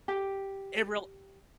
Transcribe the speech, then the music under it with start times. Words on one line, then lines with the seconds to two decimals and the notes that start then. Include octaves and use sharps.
it real
0.08 G4